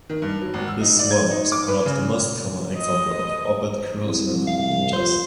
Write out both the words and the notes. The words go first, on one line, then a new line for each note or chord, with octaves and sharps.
This swung is perhaps the most common example of overt cross-rhythm in jazz.
D#3
G2
F#3
G#1
E6
D#4
D5
G#6
D#4
D6
B4
C#3
D#5
C2
F5
F2 C5